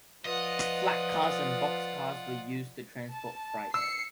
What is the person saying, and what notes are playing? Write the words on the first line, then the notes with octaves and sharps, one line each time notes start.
Flatcars and box cars were used to transport freight.
F3 F4 B4 D5 D#5 F#5
A5
E6 C7 C#7